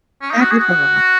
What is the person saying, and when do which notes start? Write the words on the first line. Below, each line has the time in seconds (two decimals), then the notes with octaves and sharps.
That is a lot.
0.22 C#4
0.31 D#4
0.40 F#4
0.51 G#4
0.59 F#4